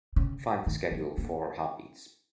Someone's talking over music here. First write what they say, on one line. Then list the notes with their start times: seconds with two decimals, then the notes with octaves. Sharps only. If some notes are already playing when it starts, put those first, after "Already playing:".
Find the schedule for Heart Beats.
0.16 C#3
0.66 D#3
0.91 F#3
1.18 A#3